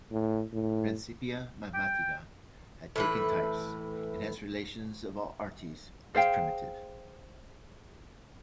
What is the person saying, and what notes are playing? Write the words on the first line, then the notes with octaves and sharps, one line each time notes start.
"Principia Mathematica" had taken types, and hence relations of all arities, as primitive.
A2
A2
G5
A2 E3 B4
G#4 C5 F5 G5